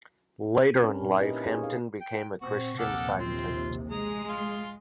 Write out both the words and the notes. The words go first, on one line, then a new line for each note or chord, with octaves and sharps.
Later in life Hampton became a Christian Scientist.
C4 C#4 A#4
A#2 D#4
E4 G4 A#4 B4 D#5
D#4 G#4 C#5
F5
G5
A#2 C4 F#4 C#6
A#1 D#2 C3 D#3 A4 F#5 D6
C4 F4
G#3 G#4 A#5
F4 C6